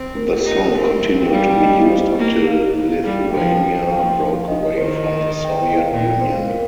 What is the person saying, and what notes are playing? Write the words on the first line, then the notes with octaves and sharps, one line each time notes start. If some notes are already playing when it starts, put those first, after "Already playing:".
The song continued to be used until Lithuania broke away from the Soviet Union.
Already playing: C4
A#4
G4
D#4 F4
G4
C4 A#4
G5
G3 F5
G5
F5
D#5
D#5
C5
A#3
F5
G3 F5
F3 G5
G5
F3 F5
D#5
D#5
D#3 C5
D#5
D#5
D#5
G5
D#5
C5
F5
A#2 G5
F5
C5
A#4